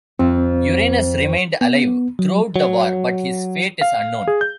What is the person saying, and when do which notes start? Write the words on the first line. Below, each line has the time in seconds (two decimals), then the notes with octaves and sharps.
"Uranus" remained alive throughout the war, but his fate is unknown.
0.19 F2 C4
1.61 B3
2.19 F#3
2.56 F#3
3.81 F5
4.28 G#4
4.41 G6